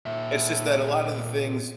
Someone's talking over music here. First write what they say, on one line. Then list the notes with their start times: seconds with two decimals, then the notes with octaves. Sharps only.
It's just that a lotta the things
0.06 A#2 E5